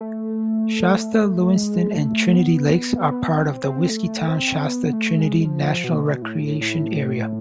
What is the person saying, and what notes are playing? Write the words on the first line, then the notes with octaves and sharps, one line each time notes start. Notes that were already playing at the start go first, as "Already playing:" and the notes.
Shasta, Lewiston and Trinity Lakes are part of the Whiskeytown-Shasta-Trinity National Recreation Area.
A3
G#3
A3
B3
B3
C4
C4
A3
C4
B3
A3
G#3
F3
B2
A2
A2